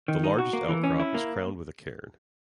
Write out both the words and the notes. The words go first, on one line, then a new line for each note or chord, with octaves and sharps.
The largest outcrop is crowned with a cairn.
D#3
D#4
F#4
A#3
E3
C#4
E4
A#3